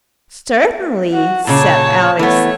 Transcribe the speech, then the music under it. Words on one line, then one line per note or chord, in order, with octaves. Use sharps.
'Certainly,' said Alice.
F#4
A#2 C#3 C#5 A5
E3 A3 B3 C#5